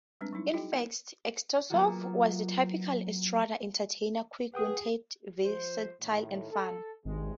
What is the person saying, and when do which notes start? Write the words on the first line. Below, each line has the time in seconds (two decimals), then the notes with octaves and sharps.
In fact, Utesov was the typical "estrada" entertainer - quick witted, versatile, and funny.
0.21 G3 G#3 C4 D4 B4
0.33 F#3 G3 D#4 E4
0.54 D#4 E4 F#4 G#4 D#5 G5
0.72 B3
1.70 F#3 A#3 B3 F4 F#4
4.54 G#4 B4 F#5 G5 D#6
5.44 F3 C5
6.01 A2 D#3
6.51 A4
7.05 G#1 G2 C3 G#3